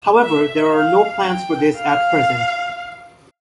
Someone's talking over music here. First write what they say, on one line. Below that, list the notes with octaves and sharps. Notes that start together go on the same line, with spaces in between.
However, there are no plans for this at present.
E5
F5
G5
F5